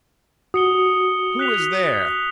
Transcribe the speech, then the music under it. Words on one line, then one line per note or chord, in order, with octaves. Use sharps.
Who is there?
F#4 D#6 C#7 G7
F#6 B6 F7